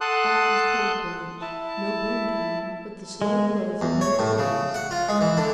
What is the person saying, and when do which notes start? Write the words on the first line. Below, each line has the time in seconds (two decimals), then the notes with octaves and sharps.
That was Cold Branch--no boom town, but the slow growth of many years.
0.01 A4 F#5 A5 C6 D#6 F#6
1.41 E4 A5
3.22 G#3
3.81 E2
4.01 C#5
4.19 A2
4.39 C#3
4.74 F#5
4.91 F4
5.09 G#3
5.21 E3
5.37 D3